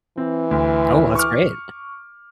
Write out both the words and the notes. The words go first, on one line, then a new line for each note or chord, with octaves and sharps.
Oh, that's great.
E3 C4
D2
C#6 D6 F6